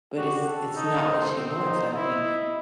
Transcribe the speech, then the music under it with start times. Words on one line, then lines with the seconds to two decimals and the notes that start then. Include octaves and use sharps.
but it's it's not what she wants, like, we
0.18 F#4 G4
0.47 A4
0.76 D#4 A4
1.06 C5
1.36 C4
1.64 D#4
1.94 E4 D#5